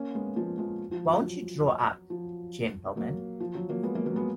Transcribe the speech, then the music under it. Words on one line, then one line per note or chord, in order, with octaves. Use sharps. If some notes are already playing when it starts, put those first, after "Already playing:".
Won't you draw up, gentlemen.
Already playing: A#3 C#4
G#3 B3
F3 G#3
F3 G#3
F3
F3
F#3
F3
F#3 A#3
F3
F#3
F#3 A#3
G#3 B3
F#3 A#3
F#3 A#3
G#3 B3